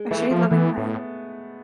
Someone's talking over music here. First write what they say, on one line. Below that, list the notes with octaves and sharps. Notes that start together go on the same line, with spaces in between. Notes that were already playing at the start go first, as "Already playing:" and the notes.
A shade loving plant.
Already playing: G#3
E3 A3
F3
E3 B3
A2